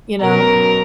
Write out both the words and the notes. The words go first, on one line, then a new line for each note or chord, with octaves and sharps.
you know?
B2 F#3 C#4 A#4